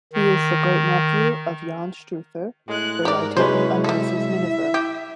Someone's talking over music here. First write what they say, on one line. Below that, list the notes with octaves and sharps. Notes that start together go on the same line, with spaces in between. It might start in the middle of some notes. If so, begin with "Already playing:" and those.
He is the great-nephew of Jan Struther, the writer of Mrs Miniver.
D#3
A2 G#3 F#6
G#2 G4 A#4 D5
C3 F#3 G#3 C#4 E4 B4 C5
G3 A4 E5
E4
G4